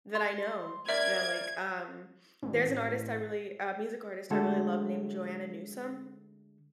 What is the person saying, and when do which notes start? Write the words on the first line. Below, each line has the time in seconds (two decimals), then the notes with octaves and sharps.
that I know, you know, like, um, there's an artist I really a music artist I really love named Joanna Newsom,
0.15 C6
0.89 A#4 D5 E5 G#6
2.42 A1
4.31 D3 G#3 A3 F#4 G#4 A4